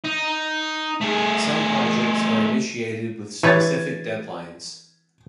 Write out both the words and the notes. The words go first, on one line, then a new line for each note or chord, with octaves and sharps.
Some projects are initiated with specific deadlines.
D#4
A3 G#4
E3 B4 C#5 G#6 A6